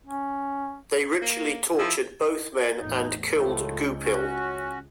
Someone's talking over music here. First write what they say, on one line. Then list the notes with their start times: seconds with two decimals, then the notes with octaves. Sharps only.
They ritually tortured both men and killed Goupil.
0.06 C#4
1.22 A#3
1.79 F3 E4
2.79 A1 E2 D#4
3.33 C#2 A2 F3 A3
4.04 C#4 F#4